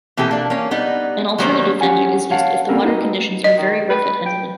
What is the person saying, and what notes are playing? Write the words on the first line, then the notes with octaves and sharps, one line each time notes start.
An alternative venue is used if the water conditions are very rough at Henley.
B2 E3 A#3 C4 G4 A4
A#3 D4
A#3 C#4
G3 B3 D#4
D#3 F#3 G3 A#3 C#4 C5
C#4 G4 C#5 F#5 G#5
C#5 F5 F#5 A5
A#3 C4 C#4 A4 A#4
D#4 F#4 B4 D#5
D#5
D#3
B4
G5